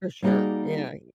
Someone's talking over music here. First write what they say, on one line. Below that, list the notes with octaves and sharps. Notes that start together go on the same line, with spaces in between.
For sure, yeah, m
G3 A#3 D#4 F#4 G#4 D5